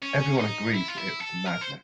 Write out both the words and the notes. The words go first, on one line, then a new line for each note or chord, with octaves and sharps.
Everyone agrees that it was madness.
C#4
D#4
E4
F4
E4
A4
A#4
C5